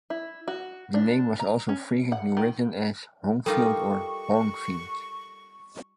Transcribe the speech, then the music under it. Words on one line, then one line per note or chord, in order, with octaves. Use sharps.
The name was also frequently written as "Hongfield" or "Honghfield".
E4
F#4
D4
A#5
C#4
F#5
D#3
G3 D#4 F4 A4 A#4 C#6